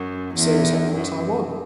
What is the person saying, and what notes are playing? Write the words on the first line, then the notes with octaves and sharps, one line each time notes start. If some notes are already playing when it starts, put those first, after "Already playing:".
The same was happening in Taiwan.
Already playing: F#2
E2
F#2